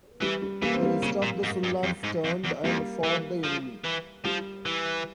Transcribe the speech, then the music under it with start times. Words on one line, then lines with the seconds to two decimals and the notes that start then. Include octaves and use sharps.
The rest of the Sullans turned and fought the enemy.
0.22 E3 G3
0.42 G3
0.62 E3 G3 A#3
0.74 C4
0.82 G3 A#3
1.03 C#3 G3 A#3
1.22 A#2
1.43 G#2
1.64 G2
1.83 F2
2.03 G#2
2.24 F2
2.44 E2
2.63 F2 G3 A#3
3.04 E3
3.44 F3
3.85 E3
4.25 F3 G3
4.65 E3